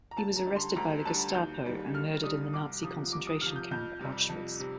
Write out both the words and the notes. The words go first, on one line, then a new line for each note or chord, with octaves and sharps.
He was arrested by the Gestapo and murdered in the Nazi concentration camp Auschwitz.
A#5
D2 A5
A#5
D3 G3
C6
D2 A#5
D3 G3 A5
D#2 G6
D#3 G3
D#2 F6
D#3 G3 D#6
C2 D6
C3 F3 D#6
C2 D6
D#6
C3 F3 F6
G6
F2 G6
C3 G3
F2
C3